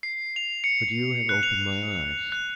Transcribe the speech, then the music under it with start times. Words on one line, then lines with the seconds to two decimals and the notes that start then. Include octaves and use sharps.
But you have opened my eyes.
0.03 C7
0.36 F7
0.64 C#7
1.29 F#6
1.43 F7
2.32 F#6